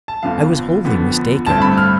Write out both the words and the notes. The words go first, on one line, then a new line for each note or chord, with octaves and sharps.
I was wholly mistaken.
A5
F2 D3 F3 B3 F5
F2 D3 F3 B3
A1 G2 D3 A3 C4 A5
B5
F6